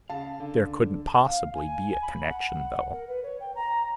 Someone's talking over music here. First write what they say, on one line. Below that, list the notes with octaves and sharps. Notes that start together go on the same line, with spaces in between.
There couldn't possibly be a connection though.
C#3 F5 A5
D3
F5
G#5
B5
F#5
A#4
B4
C#5
G5
A#5